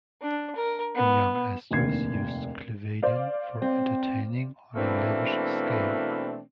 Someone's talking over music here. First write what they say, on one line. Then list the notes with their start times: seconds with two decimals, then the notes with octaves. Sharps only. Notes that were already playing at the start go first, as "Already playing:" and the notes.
The young Astors used Cliveden for entertaining on a lavish scale.
0.22 D4
0.56 A#4
0.95 B3
1.71 F1 A#1 D#2 G#6 C7
3.03 C5 D5 F5
3.62 C4
4.75 B2 E3 A3 A#3 C4 D4